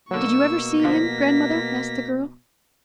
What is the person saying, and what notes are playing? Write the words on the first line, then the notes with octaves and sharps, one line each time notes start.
"Did you ever see him, grandmother?" asked the girl.
B2 D3 F#3 A#3 C#6 E6
D3 F3 A#6 B6